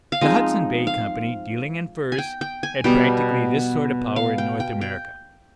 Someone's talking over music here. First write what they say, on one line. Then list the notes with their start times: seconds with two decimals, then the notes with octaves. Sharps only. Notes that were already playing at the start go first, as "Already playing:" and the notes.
The Hudson Bay Company, dealing in furs, had practically this sort of power in North America.
0.12 F5
0.21 F3 G#3 C4 D#4 D#5
0.87 F5
2.12 G#5
2.18 G5
2.41 G5
2.63 G#5
2.84 B2 G3 B3 G5
4.16 F5
4.38 G5
4.60 G5
4.81 G5